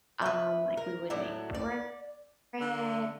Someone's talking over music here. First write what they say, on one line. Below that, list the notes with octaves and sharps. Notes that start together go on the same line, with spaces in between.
um, like we would make bread,
B4 E5
A#4
A2 F#3 D4 E4
D5
D3